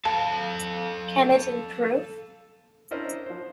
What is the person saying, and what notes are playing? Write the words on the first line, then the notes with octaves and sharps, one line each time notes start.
Can it improve?
A4 F5 A5
C#4 D4 E4 A#4 C5 D#5
F3 C5